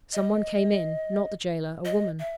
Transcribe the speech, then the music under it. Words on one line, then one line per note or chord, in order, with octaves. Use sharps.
Some one came in; not the gaoler--a woman.
D#5
D#5
E5